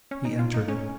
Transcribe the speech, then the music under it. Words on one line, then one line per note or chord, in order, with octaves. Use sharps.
He entered it.
C#4
D#4
F4
D#4
C#4